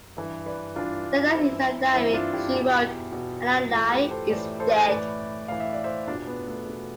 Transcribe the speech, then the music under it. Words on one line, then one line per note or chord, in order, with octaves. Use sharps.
That night in her diary, she wrote, Adlai is dead.
G2 E3
B4 D5
G2 E3 D4 F4
G2 E3 C4 E4
G2 E3 C4 E4
D4 F4
E4 G4
E2 B2
E2 B2
A2 E3 F4 A4
G4 B4
A4 C5
A2 E3 B4 D5
A4 C5
A2 E3 B4 D5
A2 E3 F5
E5
D5
C5 E5
E2 B2 D4 F4
B3
A3
E2 B2